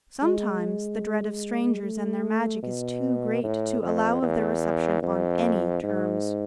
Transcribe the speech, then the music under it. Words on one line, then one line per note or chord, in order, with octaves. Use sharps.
Sometimes the dread of strangers and their magic is too great to allow of their reception on any terms.
G#3
A3
B2
A2
F2
E2
F2
G#2